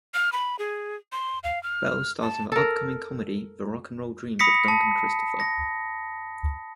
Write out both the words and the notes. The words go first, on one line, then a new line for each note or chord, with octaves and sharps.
Bell stars in the upcoming comedy "The Rock 'n Roll Dreams of Duncan Christopher".
F6
B5
G#4
C6
F5
F6
A5
A4 A#4
B5 D#6 A#6 B6 C#7
A5
A#6